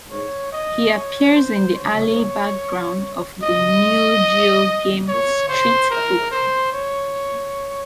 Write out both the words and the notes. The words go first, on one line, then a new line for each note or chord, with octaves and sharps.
He appears in the alley background of the Neo-Geo game "Street Hoop".
C#5
D#5
C#5
C5
C#5
D#5
C#5
C5
A#4
C5
C#5